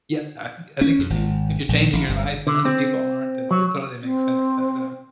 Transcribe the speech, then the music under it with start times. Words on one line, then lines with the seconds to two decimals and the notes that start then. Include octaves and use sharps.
yeah, I think I think if you if you're changing your life and other people aren't, i it totally makes sense that that, um
0.81 C#4
0.99 F2
1.10 G#1
1.69 A#1
1.93 A1
2.09 G1
2.47 D3
2.65 C4
3.51 F#3
4.02 C4